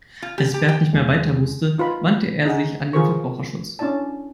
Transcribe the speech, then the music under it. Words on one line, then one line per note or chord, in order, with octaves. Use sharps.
Als Bert nicht mehr weiter wusste, wandte er sich an den Verbraucherschutz.
F4
G4
G4
G5
E2 G#3
D#4 F4 B4 B5
D#4 G#4 F#5
F4 G#4 A#4 C5 C#6
C#4 D4 E4 D5 A5